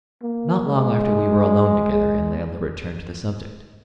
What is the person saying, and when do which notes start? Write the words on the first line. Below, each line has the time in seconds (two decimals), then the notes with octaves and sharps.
Not long after we were alone together, and Layelah returned to the subject.
0.22 A#3
0.65 G#3
1.92 G#3